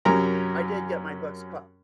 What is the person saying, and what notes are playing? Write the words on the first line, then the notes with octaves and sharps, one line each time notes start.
I did get my books pu
F#2 C3 C#4 A#4 A#5